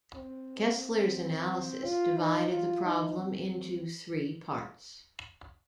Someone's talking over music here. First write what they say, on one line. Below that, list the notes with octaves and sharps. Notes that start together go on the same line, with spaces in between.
Kessler's analysis divided the problem into three parts.
C4
F4
D#4
F4
D#4
C4